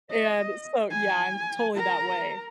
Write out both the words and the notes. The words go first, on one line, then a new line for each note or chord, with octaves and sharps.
and so, yeah, I'm totally that way.
D#5
G#5
A#4 A#5